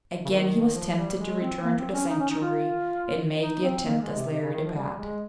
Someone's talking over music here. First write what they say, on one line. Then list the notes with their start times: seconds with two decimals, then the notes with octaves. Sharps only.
Again he was tempted to return to the Sanctuary and make the attempt as Larry the Bat.
0.25 C#3
0.29 D#3
0.74 F3
0.97 G3
1.19 G#3
1.41 C4
1.63 A#3
1.78 C4
1.93 C#4
2.08 D#4
2.19 C#4
2.30 D#4
2.41 F4
3.42 D#4
3.63 C4
3.86 A#3
4.01 G#3
4.16 C3
4.31 C3
4.42 C#3
4.53 D#3
4.64 F3
4.75 G3
4.97 G#3